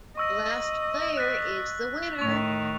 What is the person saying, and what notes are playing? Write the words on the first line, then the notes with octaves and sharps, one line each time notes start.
The last player is the winner.
D#5 C#6 E6 A#6
F#6 A6 B6
A2 D#3 C#6 F7